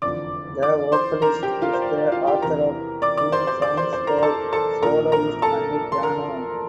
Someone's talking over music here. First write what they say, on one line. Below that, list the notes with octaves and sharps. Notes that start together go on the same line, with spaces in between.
The vocalist is the author of two songs for soloist and piano.
F1 E2 D3 F3 D5 D6
D5 D6
C5 C6
A#4 A#5
G4 G5
F4 F5
C5
D5
D5
F4 F5
G4 G5
E2 C3 E3 A#4 A#5
D5 D6
D5 D6
C5 C6
C5 C6
D5 D6
C5 C6
C5 C6
A#4 A#5
A#5
A4 A5
A4 A5
A#1 A#2 F3 A#4 A#5
A#4 A#5
A4 A5
C6
A#4 A#5